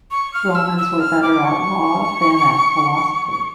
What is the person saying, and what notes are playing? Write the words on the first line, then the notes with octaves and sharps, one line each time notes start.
Romans were better at law than at philosophy.
C#6
F6
E6
E6
F6
D6
C#6